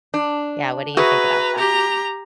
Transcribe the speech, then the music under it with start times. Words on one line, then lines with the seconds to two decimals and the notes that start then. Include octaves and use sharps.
Yeah, what do you think about that?
0.14 D4
0.97 F#4 G#4 B4 E5 A#5
1.57 G4 A#5